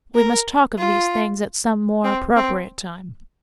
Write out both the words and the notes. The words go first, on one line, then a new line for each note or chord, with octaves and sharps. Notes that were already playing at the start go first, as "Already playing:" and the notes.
"We must talk of these things at some more appropriate time."
A#4
F4
C4
C4